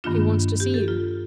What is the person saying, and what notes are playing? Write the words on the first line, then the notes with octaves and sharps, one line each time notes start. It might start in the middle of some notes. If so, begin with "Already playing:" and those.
She wants to see you.
G2 D#3 A#3 D4 F4
G4
A4
F4